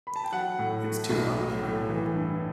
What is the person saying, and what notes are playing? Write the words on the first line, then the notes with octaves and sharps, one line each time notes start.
It's too hot in here.
B5
A5
G5
F#3 F#5
A2
A3
B1
F#3
A2
E3
G2